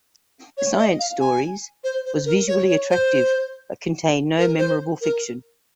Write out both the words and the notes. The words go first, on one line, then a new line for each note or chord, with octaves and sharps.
"Science Stories" was visually attractive but contained no memorable fiction.
C#5
D#5
F5
G#5
C5
C5
A#4
C#5
C#5
C5
A#4
C5
A#4